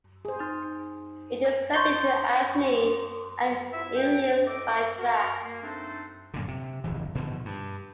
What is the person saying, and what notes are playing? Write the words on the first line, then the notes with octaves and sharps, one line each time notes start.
It is connected to Asni and Imlil by tracks.
G#4 C5
D#4 C6
C6 C#6 G6 A6 G7
C3 E4 F4 E5
E2 D4 G#4 G5
E3 A4 D#5 D6
F#4 A#4
A#3
A3 C4 D4 D#4 A4 C5
F#2 A#2 D3
C3
D1 G1 F2 E3
B2 D3 D#3 F3
G2